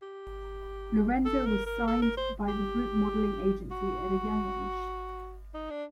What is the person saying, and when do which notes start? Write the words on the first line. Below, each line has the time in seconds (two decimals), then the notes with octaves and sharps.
Lorenzo was signed by the Group modeling agency at a young age.
0.02 G4
1.25 A4
1.46 A#4
1.66 A#4
1.87 A4
2.02 A#4
2.17 C5
2.48 G4
3.71 F#4
5.54 D#4
5.70 D4